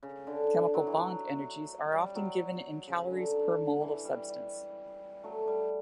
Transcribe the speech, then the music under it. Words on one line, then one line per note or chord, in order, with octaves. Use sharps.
Chemical bond energies are often given in calories per mole of substance.
C#3
D3
F#3
E3
F#3
G3
F#3
C#3
D3
E3
G3
G3
F#3 A3
G3